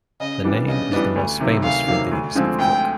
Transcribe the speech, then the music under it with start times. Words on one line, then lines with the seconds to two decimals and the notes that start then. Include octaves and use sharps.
The name is the most famous for these of Cook.
0.20 C#3 D#5
0.44 E3 G3 B3 D4
0.68 C#3 D#5
0.91 E3 G3 B3 D4
1.16 D2
1.40 C3 D#3 F#3 A#3
1.63 D2 F5
1.87 C3 D#3 F#3 A#3
2.11 D2
2.35 D3 F3 G#3 C4
2.59 D2 G5